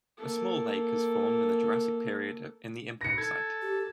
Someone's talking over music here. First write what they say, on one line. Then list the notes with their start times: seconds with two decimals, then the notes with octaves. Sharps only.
A small lake has formed in the Jurassic period in the impact site.
0.18 A#3 A4
3.01 A#6 C#7
3.18 A4 G#6
3.62 G4